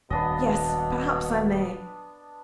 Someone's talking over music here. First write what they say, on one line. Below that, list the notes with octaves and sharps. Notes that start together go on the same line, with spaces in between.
'Yes, perhaps I may.
D#1 B2 B3 D4 D#5